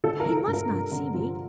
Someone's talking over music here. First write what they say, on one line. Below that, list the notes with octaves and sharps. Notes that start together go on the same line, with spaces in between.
He must not see me.
D3 A4
A#4
F3
A#4
G2
A#4
G2
D3
F3